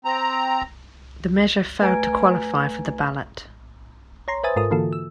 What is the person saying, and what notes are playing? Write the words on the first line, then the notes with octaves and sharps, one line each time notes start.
The measure failed to qualify for the ballot.
C4 A#5
A3 B4 G#5 A#5 G#6 D7
C#5 A#5 C6
B4 C5 E5 G#5 D#6 A6
G#2 F4 A4 A#4 D#6
D3 E3 A#3 F4 F#4 A4
E6